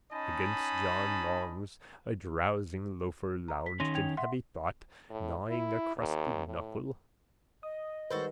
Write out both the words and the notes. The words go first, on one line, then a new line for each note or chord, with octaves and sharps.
Against John Long's a drowsing loafer lounged in heavy thought, gnawing a crusted knuckle.
C#4 D#4 D#5 G#5 A5 B5
A#5
B6
D#3 C#4 C6 A#6 D#7
G5 G#6 F7
E5 F#5 C6
A2
E4
D#2
A2
D#5 D#6
D#3 G3 F#4 A4 B4 C5